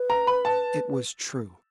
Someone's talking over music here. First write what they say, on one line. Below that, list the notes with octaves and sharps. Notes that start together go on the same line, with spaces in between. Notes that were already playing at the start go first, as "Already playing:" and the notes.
It was true.
Already playing: B4
A#5
B5
A5